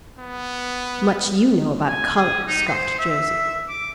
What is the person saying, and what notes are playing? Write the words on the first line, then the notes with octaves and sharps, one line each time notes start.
Much you know about a colour,' scoffed Josie.
B3
G#5
G#4
D#4
C5
E5
D6